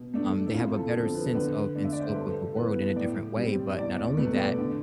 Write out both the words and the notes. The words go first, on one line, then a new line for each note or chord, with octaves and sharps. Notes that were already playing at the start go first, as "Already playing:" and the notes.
Um, they have a better sense of and scope of the world in a different way. But not only that,
Already playing: B2
A3 D4
E4
F2 F4
A4
D3 F3 A4
B4
D3 B4
A3 D4
E5
D5
C5
B4
G2 A4
E3 B3 B4
A2 D5
G3 C4
E2 D5
D5
B2 A3 B4
D5
D3